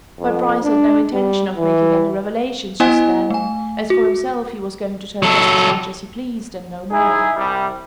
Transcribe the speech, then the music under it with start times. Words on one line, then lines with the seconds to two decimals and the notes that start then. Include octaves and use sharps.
But Bryce had no intention of making any revelations just then--as for himself he was going to tell just as much as he pleased and no more.
0.19 F2
0.63 D4
1.13 G3
1.57 E3
2.80 B3 E4 C5 D#5 F#5 G#5
3.30 A3 G#5
3.90 F#4
5.23 F#3 A4
6.91 D#4 E4 G#4
7.37 C2 G3